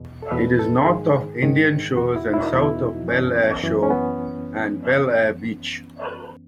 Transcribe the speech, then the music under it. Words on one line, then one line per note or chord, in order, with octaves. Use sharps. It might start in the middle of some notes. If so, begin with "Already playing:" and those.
It is north of Indian Shores and south of Belleair Shore and Belleair Beach.
Already playing: E2 B2
A4
E2 B2 B4
A4
A4
G#2 D#3 G#4
G#2 D#3
E2 B2 F#4
E4
E4
D#4
E2 B2 E4
F#2 E3 C#4
B3
F#2 E3
C#4
B3